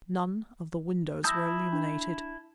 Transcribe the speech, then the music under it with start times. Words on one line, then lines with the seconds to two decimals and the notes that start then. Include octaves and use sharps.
None of the windows were illuminated.
1.24 E4 A5 D#6 E6 G6 A#6
1.73 D4